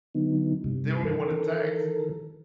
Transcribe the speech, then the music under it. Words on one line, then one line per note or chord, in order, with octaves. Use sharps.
They only want to text
D3 F#3 B3 D#4
G2 C3 G3
D#3 E3 A4 A#4